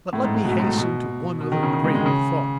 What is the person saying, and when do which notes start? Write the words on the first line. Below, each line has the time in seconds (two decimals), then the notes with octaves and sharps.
But let me hasten to one other greater thought.
0.13 A2
0.24 G#2
0.35 G#2
0.45 B2
0.52 A2
0.60 G#2
0.66 A2
0.77 B2
1.41 B2
1.52 D#3
1.63 C#3
1.73 C#3
1.84 G#3
1.95 G#3
2.01 D#3
2.06 C#3